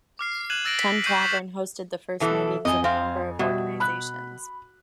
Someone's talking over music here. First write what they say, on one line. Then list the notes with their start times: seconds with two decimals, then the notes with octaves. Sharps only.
Tun Tavern hosted the first meetings of a number of organizations.
0.19 D6 F6 C7
0.50 F#6 G#6 D#7 E7 F#7
0.65 E6 A6 A#6 D7 F#7
0.79 B6
1.04 C#6 G6 C7 D#7 F#7
1.22 B6 F7
2.20 B2 E3 A4
2.65 F2 D#5 G#5
2.84 C4 F5
3.39 B2 G3 F#4 E5
3.80 B5 F#6